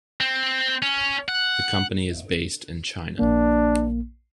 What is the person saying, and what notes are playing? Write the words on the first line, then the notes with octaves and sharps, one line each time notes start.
The company is based in China.
C4
C#4
F#5
A#1 A#3 D4